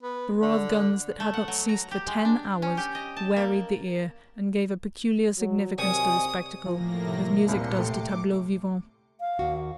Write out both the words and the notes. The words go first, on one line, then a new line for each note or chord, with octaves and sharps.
The roar of guns, that had not ceased for ten hours, wearied the ear and gave a peculiar significance to the spectacle, as music does to tableaux vivants.
B3
D3
A3
F#5
F#3
A#5
G4
G#3
D4
C#4
G4
D#5
A5
A#3
F#3
C3 D#3 C#5 G#5 D#6
A2 F3 A#3 A#6
C3
D#1 C2 A#2 C6 C#7
A2 C3 A3 G4 D6
F5
D#2 F#4